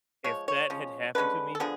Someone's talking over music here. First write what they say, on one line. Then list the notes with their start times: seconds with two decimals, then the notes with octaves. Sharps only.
if that had happened to me
0.24 F3 G#3 C#5
0.48 C#5
0.70 F3 G#3 C#4
1.15 D3 G#3 C#4 B4
1.55 A4
1.60 D3 F3 B3 G#4